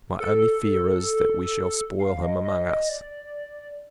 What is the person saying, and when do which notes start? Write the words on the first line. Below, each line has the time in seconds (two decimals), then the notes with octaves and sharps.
My only fear is, that we shall spoil him among us.
0.20 A4
1.99 F5
2.22 D#5
2.45 D#5
2.67 D#5
2.89 D5